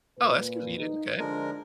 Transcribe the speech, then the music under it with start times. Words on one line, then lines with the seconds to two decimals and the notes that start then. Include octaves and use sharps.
Oh, that's convenient, okay.
0.18 A#2 B4
0.78 D#4
1.19 D3 F3 G#3 D4 A#4